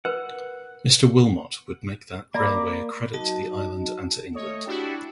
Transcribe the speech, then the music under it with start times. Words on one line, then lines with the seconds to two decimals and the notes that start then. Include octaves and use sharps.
Mr. Willmott would make that railway a credit to the Island and to England.
0.05 A#4 B4 F#5
2.34 A#3 A#4 D5 A#5 B5 D6
3.13 F#3 D#4 F#4 D#5 A5
4.35 A3 C#5 D#5
4.67 D4 E4 F#4 G4